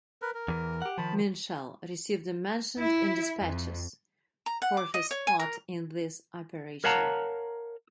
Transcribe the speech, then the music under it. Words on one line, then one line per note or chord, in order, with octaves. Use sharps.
Minshall received a "Mentioned in Despatches" for his part in this operation.
A#4 B4
A#4
E2 E3
G4 F#5
D#3 F3 A5 B5
E4
F2
A#5
F#5
D6
D#5
C#5
G#5
A#4
A#4 C#5 F5 F#5 A5 A#5